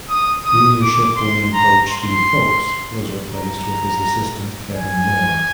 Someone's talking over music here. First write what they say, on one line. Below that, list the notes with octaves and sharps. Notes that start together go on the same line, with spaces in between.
Premiership-winning coach Steve Folkes was replaced with his assistant Kevin Moore.
D#6
D#6
D6
C6
A#5
C6
A#5
G#5